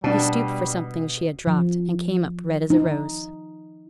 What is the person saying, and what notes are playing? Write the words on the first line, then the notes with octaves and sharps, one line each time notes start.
She stooped for something she had dropped, and came up red as a rose.
B2 G3 D4 A5
F3
D#4